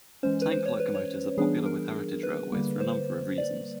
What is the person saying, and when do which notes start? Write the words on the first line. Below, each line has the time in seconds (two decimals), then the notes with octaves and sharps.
Tank locomotives are popular with heritage railways for a number of reasons.
0.23 E3 G#3 C#4 C5
0.42 B4
0.51 C5
0.66 C#5
0.80 B4
0.95 C#5
1.37 E3 G3 B3 D4 G#4
1.66 A#4
2.23 B4
2.52 D3 G3 A#3
2.80 C5
3.38 D5